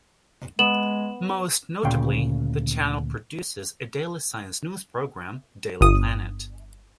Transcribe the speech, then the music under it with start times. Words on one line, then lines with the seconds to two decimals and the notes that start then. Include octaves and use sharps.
Most notably, the channel produces a daily science news program, "Daily Planet".
0.59 G#3 B3 E7 F#7
1.83 D2 A#2 C#3 G5
5.81 G1 D#6